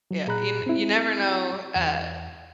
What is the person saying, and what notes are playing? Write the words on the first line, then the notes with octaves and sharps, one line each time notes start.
Yeah, you n you never know, uh,
F#3
A#2 G#4 A#5 B5 F#6
C4 E4
E2